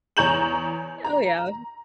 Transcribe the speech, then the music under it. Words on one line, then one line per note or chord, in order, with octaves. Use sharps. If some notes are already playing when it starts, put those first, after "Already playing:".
Oh, yeah,
E2 C#5 A#5 G6 E7 F#7
A#5